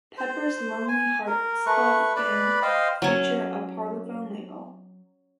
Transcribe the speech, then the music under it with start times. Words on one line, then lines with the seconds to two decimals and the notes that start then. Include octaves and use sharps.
Pepper's Lonely Hearts Club Band feature a Parlophone label.
0.17 C5
0.88 G#5
1.27 A#4
1.66 A3 B4 C#6
2.16 B4 D5 B5
2.62 C5 D#5 F5 G5
3.02 F#3 C#4